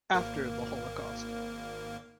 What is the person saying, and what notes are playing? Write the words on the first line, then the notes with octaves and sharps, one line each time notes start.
After the holocaust.
G#1 A#3